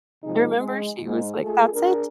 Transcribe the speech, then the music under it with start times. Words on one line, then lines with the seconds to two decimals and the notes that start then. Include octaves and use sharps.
I remember she was like, "That's it.
0.24 C3 F3 G#3 D#4 G#4
0.58 G#3
1.04 G#2
1.42 A3 F4 G#4 A4
1.73 D4 G#4 A#4